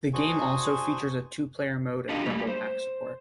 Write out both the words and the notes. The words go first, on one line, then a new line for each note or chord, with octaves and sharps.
The game also features a two-player mode and rumble pack support.
D4 F#4 G#4 C5 G#5 C#6
D4 F4 G4 A4 D#5 F5
G3 A3 A#3
C5